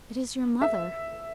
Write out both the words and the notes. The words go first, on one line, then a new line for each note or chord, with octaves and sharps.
"It is your mother!"
E5